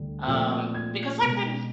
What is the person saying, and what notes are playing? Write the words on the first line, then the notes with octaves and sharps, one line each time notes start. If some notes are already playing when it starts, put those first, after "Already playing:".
um, because I couldn't,
Already playing: D2 D3 G3
A#2 F3 A3 C4
G#6
B2 G#3 B3